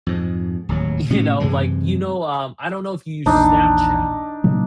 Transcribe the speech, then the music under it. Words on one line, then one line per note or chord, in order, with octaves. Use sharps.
you know, like you know, um, I don't know if you use Snapchat.
F2 G#2
D1 D#2 F#3
A2 C3 C#4
F#2 C3 E3 G#3
A#1 E2 D4 D#4
A#2 C#3 F#3